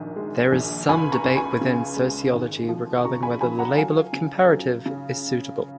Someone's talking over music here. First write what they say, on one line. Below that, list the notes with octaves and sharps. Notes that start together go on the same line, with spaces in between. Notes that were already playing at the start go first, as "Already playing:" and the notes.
There is some debate within sociology regarding whether the label of 'comparative' is suitable.
Already playing: A#1 D#3
G#3
A#1
C#2 G#5 B5
A#5 C#6
C#2
G#5 B5
C#3
G#3
G#1
F3
C#3 A#5 C#6
G#5 B5
F3 G#5 B5
F#5 A#5
F#3 F5 G#5
C#3
F#3
C#3